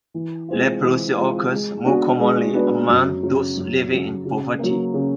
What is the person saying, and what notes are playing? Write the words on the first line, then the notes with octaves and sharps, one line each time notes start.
Leprosy occurs more commonly among those living in poverty.
E3
G#3 C4 F4
E3
G#3 C4 F4
G#3
B3 D4 F#4 B4
G#3
B3 D4 F#4 B4
F#2
C#3 F#3
F#2
C#3 F#3
C#3
F#3 A#3
C#3